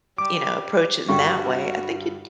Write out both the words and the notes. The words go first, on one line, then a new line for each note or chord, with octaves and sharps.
you know, approach it in that way, I think it
G3 D6
G2 D3 G3 F#4 G5 C#6